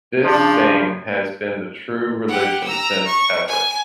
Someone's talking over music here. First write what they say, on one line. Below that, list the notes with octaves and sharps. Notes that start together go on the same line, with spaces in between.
This same has been the true religion since ever.
C#3 F3 D4
G4 F#5
A#5 E6
C#6
G#5